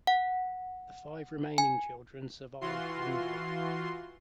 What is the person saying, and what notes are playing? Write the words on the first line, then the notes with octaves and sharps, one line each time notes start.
The five remaining children survive Handley.
F#5
G#5
E3 F4 F#4 C6